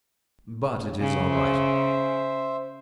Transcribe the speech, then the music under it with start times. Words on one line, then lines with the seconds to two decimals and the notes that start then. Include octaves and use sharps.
But it is all right.
1.00 C#3
1.29 C5 E5